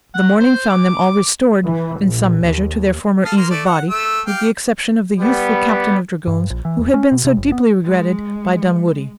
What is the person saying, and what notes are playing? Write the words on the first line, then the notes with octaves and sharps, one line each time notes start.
The morning found them all restored, in some measure, to their former ease of body, with the exception of the youthful captain of dragoons, who had been so deeply regretted by Dunwoodie.
F#5
C5
D6
E3
A#1
D#2
A4 F5 D#6
A#3 C6 F6
A3 D5
F#5
A3 E6
G4 F5 G5
G3 B3
G2
A#1
E3
E2
C#4
B2
C3
F#1
B3
G#3